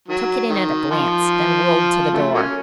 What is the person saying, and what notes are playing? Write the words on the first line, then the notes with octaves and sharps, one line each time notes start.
He took it in at a glance; then whirled to the door.
D#3 F#3
D#3
F3
C#3 F#3 A3
F#3 A#3 C#4